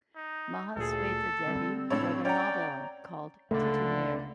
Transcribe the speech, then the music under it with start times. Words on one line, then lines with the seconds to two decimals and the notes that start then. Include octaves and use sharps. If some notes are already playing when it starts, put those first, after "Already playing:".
Mahasweta Devi wrote a novella called "Titu Mir".
0.16 D#4
0.76 D2 A#2 G#4 A4
1.46 D3 G3 C4
1.90 C#2 A2 D4 A4 C#5
2.25 C#4 C#5 D5 F#5 G5 A#5
3.51 C#2 D3 A3 D4